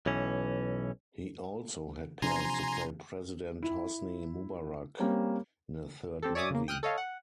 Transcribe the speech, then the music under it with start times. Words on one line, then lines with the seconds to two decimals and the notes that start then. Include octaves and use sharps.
He also had plans to play president Hosni Mubarak in a third movie.
0.06 B1 E3 C#4
2.22 C3 F3 D4 G#5 A#5 C6
3.63 E4
4.99 G3 A#3 C4 C#4
6.22 C4 G4 A4
6.35 C#5 D5 E5 G#5 D6 D#6
6.51 C#3 A#3
6.68 G5 D#6 F6 F#6
6.83 A4 C#5 D#5 F5
6.98 F#5